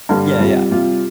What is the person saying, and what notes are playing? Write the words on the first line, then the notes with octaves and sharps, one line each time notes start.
Yeah, yeah.
G2 D3 G3
C3 G3 F4
C3 G3 F4